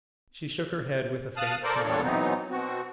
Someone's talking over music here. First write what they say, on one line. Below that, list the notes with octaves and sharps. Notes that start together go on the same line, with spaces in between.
She shook her head with a faint smile.
F5 A5 D#6 F6 F#6
A4 A#4 C5 D5
E2 A#2 G3 D4 A4 C#5
E3 F#3 B3 C4 D#4
B2 C4 F#4